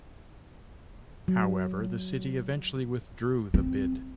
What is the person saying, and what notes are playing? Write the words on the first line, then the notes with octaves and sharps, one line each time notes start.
However, the city eventually withdrew the bid.
F#3
C4